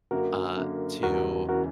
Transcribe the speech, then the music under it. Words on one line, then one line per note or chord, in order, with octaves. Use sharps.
uh, to
F#2 D3 A#3 F#4 A#4
F#2 D3 A#3
E1 E2 C#3 E3 F#4 A#4
C#3 E3 F#4 A#4